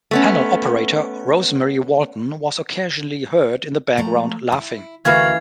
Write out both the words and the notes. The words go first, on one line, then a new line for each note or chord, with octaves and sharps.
Panel operator Rosemary Walton was occasionally heard in the background laughing.
A3 B3 C#4
F3 A3 A#5
E4
D2 E3 C#4 F#4 A#4 F5 G#6